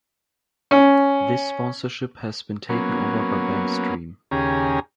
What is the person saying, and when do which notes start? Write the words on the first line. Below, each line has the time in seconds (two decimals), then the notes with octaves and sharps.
This sponsorship has been taken over by Bankstream.
0.71 C#4
2.69 F#3 A#3 B3 C#4
4.31 D#2 C#3 C#4 G4 G#4 A#5